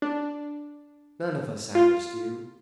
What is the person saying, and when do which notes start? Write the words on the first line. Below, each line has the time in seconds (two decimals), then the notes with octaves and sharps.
None of us Adders do.
0.02 D4
1.75 F4